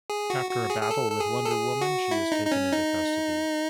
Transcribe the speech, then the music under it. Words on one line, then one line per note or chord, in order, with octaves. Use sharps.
After a battle with Wonder Woman, she is taken into custody.
G#4
F#4
F#4
G#4
G#4
A4
A4
G#4
A4
G#4
F#4
E4
D#4
D#4
C#4
D#4